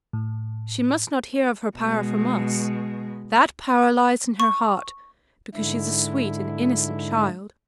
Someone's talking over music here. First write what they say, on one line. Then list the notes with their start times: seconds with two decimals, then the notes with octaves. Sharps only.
She must not hear of her power from us; that power lies in her heart, because she is a sweet and innocent child!
0.13 A2
1.77 B2 G#3
4.40 C#6
5.55 G#2 D3 E4